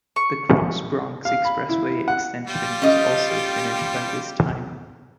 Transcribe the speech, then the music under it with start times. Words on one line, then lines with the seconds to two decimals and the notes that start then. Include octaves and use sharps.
The Cross Bronx Expressway Extension was also finished by this time.
0.16 C#6
1.25 F5
1.45 B5
1.69 E4
2.08 F#5
2.47 G3 F4 G4
2.82 C#4 D#5